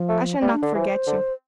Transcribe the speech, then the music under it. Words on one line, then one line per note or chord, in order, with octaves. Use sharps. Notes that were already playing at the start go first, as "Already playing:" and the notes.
I shall not forget you.
Already playing: F3
A3
G3 A3
D4
D3
E3 C5
D3